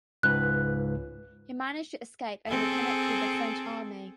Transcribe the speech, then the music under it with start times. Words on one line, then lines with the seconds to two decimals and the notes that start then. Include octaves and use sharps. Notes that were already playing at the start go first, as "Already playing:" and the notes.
He managed to escape and reconnect with the French army.
0.23 C#2 G#2 B4 F#6
2.48 C4 G#4 A4